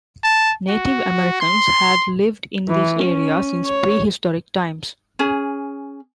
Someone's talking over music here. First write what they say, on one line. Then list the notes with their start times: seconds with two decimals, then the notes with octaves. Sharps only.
Native Americans had lived in this area since prehistoric times.
0.24 A5
0.69 F#4
1.41 C6
2.69 E3
3.04 C#4
3.66 C#5
5.19 C#4 G#4